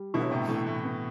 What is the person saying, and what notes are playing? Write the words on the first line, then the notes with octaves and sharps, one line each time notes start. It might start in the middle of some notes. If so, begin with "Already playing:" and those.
Oh, okay.
Already playing: G3
B2 D3 E4
A2 C3
A2 E3
A2
B3